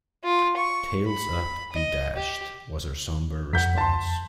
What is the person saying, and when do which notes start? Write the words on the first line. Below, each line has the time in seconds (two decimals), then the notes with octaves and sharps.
"Tails up be dashed," was her sombre response.
0.24 F4
0.57 C#6
1.06 B5
1.73 D#5
2.16 G4
3.53 F2 F#5 G6 B6
3.78 A5 C6